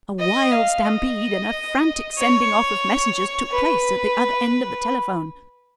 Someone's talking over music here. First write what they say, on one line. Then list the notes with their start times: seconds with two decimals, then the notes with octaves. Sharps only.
A wild stampede and a frantic sending-off of messengers took place at the other end of the telephone.
0.19 D#5
0.51 F5
0.85 D#5
2.18 C#5
3.52 B4